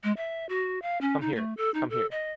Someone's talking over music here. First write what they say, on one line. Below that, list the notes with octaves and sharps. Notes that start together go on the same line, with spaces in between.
Come here, come here.
G#3
E5
F#4
F5
C#4
D#4
A3
A4
D#4
A4
D#5